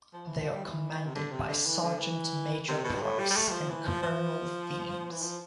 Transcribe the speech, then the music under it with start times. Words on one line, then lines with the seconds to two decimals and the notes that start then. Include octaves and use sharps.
They are commanded by Sergeant Major Price and Colonel Themes.
0.13 F3
0.26 E3
0.39 F3
0.52 G3
0.64 E3
1.06 C3
1.15 D3
1.32 C3
1.48 D3
1.66 E3
1.83 D3
2.00 E3
2.68 C3
2.84 B2
2.94 G2
3.02 A2
3.19 G3
3.30 G3
3.36 A3
3.48 G3
3.52 F3
3.69 E3
3.85 F3
4.02 F3
5.11 E3
5.22 F3